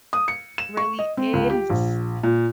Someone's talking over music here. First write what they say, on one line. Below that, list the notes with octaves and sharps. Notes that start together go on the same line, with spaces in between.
Really is.
D#6
C#7
E7
C#6
D#5
C4
C#2
G4
A#1
A#2